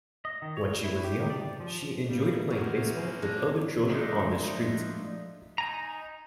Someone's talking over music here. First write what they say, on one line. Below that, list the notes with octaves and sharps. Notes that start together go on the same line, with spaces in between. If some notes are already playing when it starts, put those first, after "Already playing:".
When she was young, she enjoyed playing baseball with other children on the street.
D#5
D#3
C#5
E4
G4
D5
F3
E3 G3 A#3
E3 A#3 C4 C#4 F#4
D4 D#4 F4
F3 G#3 A3 D4 D#4
D#4 G#5 A#5